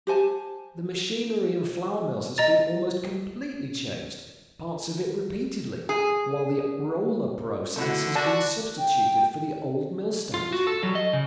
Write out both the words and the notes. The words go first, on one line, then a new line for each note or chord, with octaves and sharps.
The machinery in flour-mills has been almost completely changed, parts of it repeatedly, while the roller process has been substituted for the old millstones.
G4 C5 G#5 A5
D#5 A#5 A6
G#4
D3 A3 E4 F#4
F#4 D5 A5
G5
F4
F#4
A4
F#3 G3
D#5
C#3